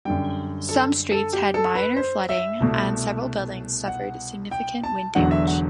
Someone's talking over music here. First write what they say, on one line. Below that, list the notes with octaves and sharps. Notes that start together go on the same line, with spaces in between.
Some streets had minor flooding, and several buildings suffered significant wind damage.
F#2 D3 G3 G5
A4
A4
G4
A4
B4
C5
E5
C2 B2 A3
F#5
G5
A5
E1 E2 D3 F#3 F#5
E5
F#5